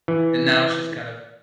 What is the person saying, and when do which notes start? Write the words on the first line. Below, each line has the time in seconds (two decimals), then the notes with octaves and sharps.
and now she's kind of
0.08 E3